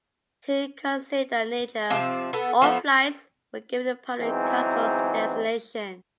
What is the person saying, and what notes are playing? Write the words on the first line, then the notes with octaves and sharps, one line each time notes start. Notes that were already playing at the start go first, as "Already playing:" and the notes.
To conceal their nature, all flights were given the public Kosmos designation.
C3 F3 C4
B3 A4
F3 A3 B3
E2 G#2 E3 F#3 C4 D#4